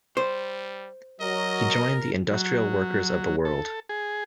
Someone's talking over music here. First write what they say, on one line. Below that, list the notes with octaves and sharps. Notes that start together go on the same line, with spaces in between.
He joined the Industrial Workers of the World.
G3 C5
F#3 A#4 D#5
F#3
A4
G#4